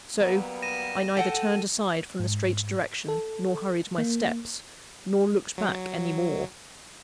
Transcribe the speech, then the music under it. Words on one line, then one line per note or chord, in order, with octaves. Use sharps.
So, I neither turned aside from the straight direction, nor hurried my steps, nor looked back any more.
F#3 G3 A#3 B3
A#6 D#7 E7
A4 F#5 G5
G#2
A4
A#3
F#3